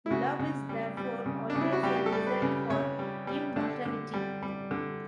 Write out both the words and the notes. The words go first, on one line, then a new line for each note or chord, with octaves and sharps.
Love is therefore always a desire for immortality.
E4
C#3 F#4
C#3
G3
G3
C#3
D4
C#3
E4
F#4
G3 G4
G4
A4
G3
B4
C#3
C#3 C#5
G3
G3
D3 D4
D3
G3
G3
D3